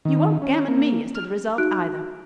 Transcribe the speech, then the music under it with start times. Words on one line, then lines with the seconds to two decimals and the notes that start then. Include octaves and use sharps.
You won't gammon me as to the result, either.
0.05 D#3
0.42 C#4
0.68 A#3
1.15 F6
1.58 D#4 F#4 F#6 D7